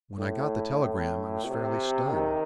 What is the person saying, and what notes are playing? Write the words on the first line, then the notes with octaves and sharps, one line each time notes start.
When I got the telegram I was fairly stunned.
A2
A2
C3
D#3